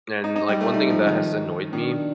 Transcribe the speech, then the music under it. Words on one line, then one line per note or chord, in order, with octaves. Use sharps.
And, like, one thing that has annoyed me
D#4
D#4
G3
A3
G3 D#4
F3
D#3
D#3 D4